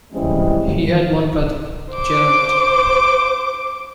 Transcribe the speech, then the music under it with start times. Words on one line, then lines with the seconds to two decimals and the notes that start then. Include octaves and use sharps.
He had one brother, Gerald.
0.12 E3 G3 G#3 C4 C#4
1.91 C5 D6